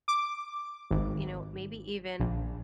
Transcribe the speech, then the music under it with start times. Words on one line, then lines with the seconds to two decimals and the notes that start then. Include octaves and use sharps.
you know, maybe even
0.08 D6
0.91 G#1
2.20 A#1